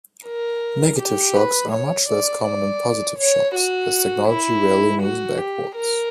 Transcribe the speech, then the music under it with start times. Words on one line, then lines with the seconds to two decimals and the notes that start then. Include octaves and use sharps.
Negative shocks are much less common than positive shocks as technology rarely moves backwards.
0.26 A#4
0.99 G4
1.35 B4
1.72 C#5
2.09 D5
2.45 D5
3.18 C#5
3.55 F#4
4.28 E4
5.02 F#4
5.38 G4
5.75 A#4